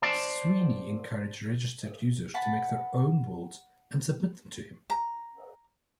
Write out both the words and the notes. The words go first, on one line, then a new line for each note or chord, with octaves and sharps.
Sweeney encouraged registered users to make their own worlds and submit them to him.
C5 D5 A5
F#5 A5 B5
A#5